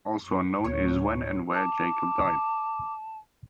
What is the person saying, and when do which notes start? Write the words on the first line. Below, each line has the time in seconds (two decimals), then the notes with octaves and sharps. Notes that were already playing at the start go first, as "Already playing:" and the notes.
Also unknown is when and where Jacob died.
0.24 F#2
0.64 D2 A2 C#5
1.53 A5 D6